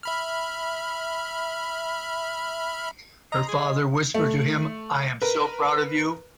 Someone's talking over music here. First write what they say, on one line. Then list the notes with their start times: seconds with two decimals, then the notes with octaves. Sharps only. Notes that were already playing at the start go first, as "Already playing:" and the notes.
Her father whispered to him, "I am so proud of you!"
0.03 E5 B5 F6
3.32 D#5 A#5 C6
3.48 G#4
4.14 A3
5.22 A#4 B4